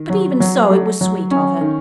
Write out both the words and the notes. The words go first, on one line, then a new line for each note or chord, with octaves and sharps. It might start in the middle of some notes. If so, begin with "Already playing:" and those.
But even so it was sweet of her.
Already playing: D#3
F#3
F#3
A3
F#3
C#4
D#3